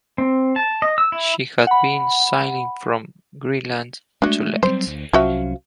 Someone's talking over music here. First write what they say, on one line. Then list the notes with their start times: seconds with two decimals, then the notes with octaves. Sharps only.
She had been sailing from Greenland to Leith.
0.18 C4
0.56 A5
0.82 D#5
0.98 E6
1.12 E4
1.67 F#5 B5
4.22 G#3 A3 D4 F#4
4.63 F#3 G3 C4 C5
4.87 D2
5.13 C2 F3 F#3 C#4 F#4 E5